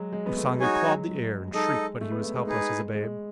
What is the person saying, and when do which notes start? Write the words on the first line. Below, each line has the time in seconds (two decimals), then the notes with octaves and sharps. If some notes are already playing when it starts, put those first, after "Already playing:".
Usanga clawed the air and shrieked but he was helpless as a babe.
Already playing: F#3 G#3
0.13 G#3
0.26 B3
0.37 A3
0.60 G#3 D#4 F#4 C#5 G#5
0.84 F#3
1.06 G#3
1.53 G#3 D#4 A4 D#5
2.01 A3
2.12 B3
2.23 A3
2.35 G#3
2.47 D#4 G#4 B4
2.94 G#3